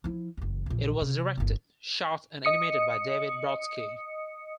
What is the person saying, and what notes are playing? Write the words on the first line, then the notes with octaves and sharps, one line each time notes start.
It was directed, shot and animated by David Brodsky.
F3 E4
F#1 E2
A#1 E2
C3
G1 D#2
D#5 D#6 C#7